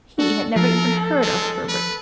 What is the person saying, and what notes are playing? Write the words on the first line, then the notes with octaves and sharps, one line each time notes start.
He had never even heard of Herbert.
D4 F#4 A4
F3 A4 A#4
G#3
B4